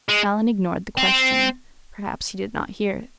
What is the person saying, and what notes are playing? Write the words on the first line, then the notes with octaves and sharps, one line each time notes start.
Alan ignored the question--perhaps he did not hear it.
G#3
C4